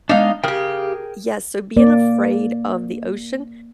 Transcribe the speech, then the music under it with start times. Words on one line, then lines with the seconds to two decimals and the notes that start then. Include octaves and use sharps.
Yes, so being afraid of the ocean,
0.09 G#3 B3 D4 D#4 F5
0.44 C#3 G4 G#4 A#4 G5
1.77 A#3 D5